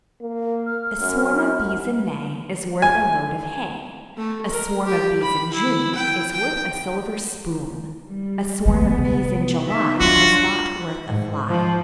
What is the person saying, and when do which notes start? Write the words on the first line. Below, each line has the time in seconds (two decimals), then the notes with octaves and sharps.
A swarm of bees in May Is worth a load of hay; A swarm of bees in June Is worth a silver spoon; A swarm of bees in July Is not worth a fly.
0.21 A#3
0.66 F6
1.01 F#2
2.82 G#5
4.16 A3
4.50 A#4
4.85 G4
5.22 B5
5.53 E4
5.95 G5
6.32 G5
8.07 G3
8.66 E3 A3 B3
8.98 C3
9.66 D#3 B3 E5
10.01 E2 F#3 D4 F4 F#4
11.06 G#2
11.49 F3